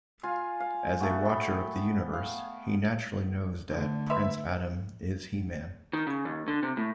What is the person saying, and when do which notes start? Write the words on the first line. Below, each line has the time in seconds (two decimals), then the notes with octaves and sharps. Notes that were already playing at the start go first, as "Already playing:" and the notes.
As a watcher of the universe, he naturally knows that Prince Adam is He-Man.
0.23 F4 F5 G#5
0.60 F5
1.00 A3 B3 F#4
1.25 G5 B5
2.13 F5
3.69 D3 A3
4.10 B4 E5 B5 C6
5.93 D#3
6.07 C#3
6.25 D#2
6.48 D3
6.63 C3
6.77 A2